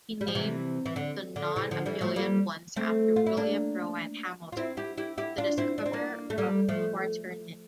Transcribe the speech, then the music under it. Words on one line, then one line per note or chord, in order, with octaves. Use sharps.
He named the non-abelian ones after William Rowan Hamilton, the discoverer of quaternions.
G3
F3
C3 E3
E3
D3
D3
C3 E3
D3 F3
E3 G3
F3 A3
G3 A#3
A3 C4
F4
E4
A#3 D4
F4
C4 E4
E4 G4
E4 G4
E4 G4
D4 F4
C4 E4
D4
C4
A#3 D4
A3
G3 A#3
F3 A3